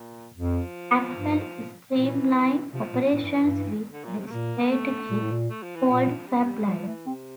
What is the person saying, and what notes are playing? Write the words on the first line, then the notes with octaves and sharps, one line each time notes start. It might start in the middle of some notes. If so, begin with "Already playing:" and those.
Atmel streamlined operations with a strategy called "fab-lite".
Already playing: A#2
F2 F3
G2
A#2 E3
C3 F3
A#2
A2 E3
G2
G2
D3
A#2
C3
A3
A#2 A#3
A3
A#2
A2
A#2
A3
F3
E3
A#2 F3
G3
F3
G3
F3 G3
G3
E3 A3
C3 C4